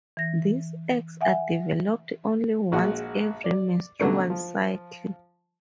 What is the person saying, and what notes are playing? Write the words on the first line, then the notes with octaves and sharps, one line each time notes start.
These eggs are developed only once every menstrual cycle.
E3 A#6
E5 F#5 G#5
A#1 G#3 F#4 F#5
D5
B2 D3 F#3 A3 C#4
F3